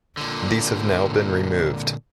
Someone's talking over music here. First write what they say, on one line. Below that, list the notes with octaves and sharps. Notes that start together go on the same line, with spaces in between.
These have now been removed.
A#2 D3